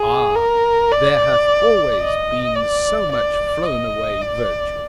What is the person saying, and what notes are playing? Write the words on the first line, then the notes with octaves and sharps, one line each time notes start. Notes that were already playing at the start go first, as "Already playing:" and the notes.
Ah, there hath always been so much flown-away virtue!
Already playing: G#4
A#4
D5
D#5
D5
D5
D#5
D5